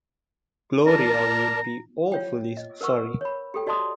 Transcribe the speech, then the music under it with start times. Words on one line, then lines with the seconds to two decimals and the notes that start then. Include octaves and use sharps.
Gloria would be awfully sorry!
0.87 A#4 D5 A5 A#5
2.12 F4 C#5 G5
2.57 D#5
2.81 A#4 B4 F#5 C#6 E6
3.21 C#5 B5
3.54 G4 A4 G5
3.66 F#4 D5 D#5 A5 C6 D#6